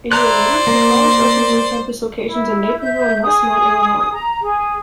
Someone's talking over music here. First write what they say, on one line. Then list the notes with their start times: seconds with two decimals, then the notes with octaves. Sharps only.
A year later, the college opened new campus locations in Naperville and Westmont, Illinois.
0.12 E4 C5 D5 A#5 F#6
0.67 A#3
2.26 E4
2.79 E5 G6
3.23 G#4 D#6
4.13 A#5
4.41 G#4